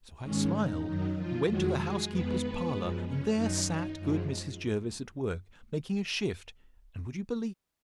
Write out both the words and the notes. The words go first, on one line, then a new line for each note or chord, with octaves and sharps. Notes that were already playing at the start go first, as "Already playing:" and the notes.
So I smiled, and went to the housekeeper's parlour; and there sat good Mrs. Jervis at work, making a shift: and, would you believe it?
G#2 D#3 G#3 C#4
D#4
F#2 D#3 F#3 D#4
F3 F4
F2 D#3 F#3 G#3 F#4
G#3 G#4
F2 D#3 G#3 B3 B4
F#2 F3 G#3
C#4
F#2 D#3 F#3 D#4
D#4
F#2 F3 G#3